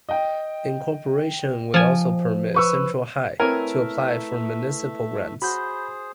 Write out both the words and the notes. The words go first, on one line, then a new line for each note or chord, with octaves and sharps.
Incorporation would also permit Central High to apply for municipal grants.
D#5 G5
F3 G#5
B4 C#6 E6
A3 C4 E4 A#4 B4 C#5 E5 G#5
F#4 G#4 C5 B5 G6